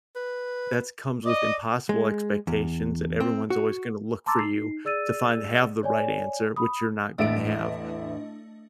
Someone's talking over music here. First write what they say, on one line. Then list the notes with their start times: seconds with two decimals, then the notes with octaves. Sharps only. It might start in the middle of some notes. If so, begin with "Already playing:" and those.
that's comes with impossible expectations that everyone's always gonna look for you to find have the right answer, which you're not going to have.
0.16 B4
1.25 D5 D#5
1.89 G#3
2.47 E2
3.20 C4
3.50 F#4
4.26 A5 A#5 C6 D6 E6 A6
4.39 D#4 C7
4.85 G#4 D5 E6 A6 D#7
5.83 C#5 D5 G#5
6.56 B5 D#6
7.18 A1 E2 A2 A3 D4 D#5 E5 D7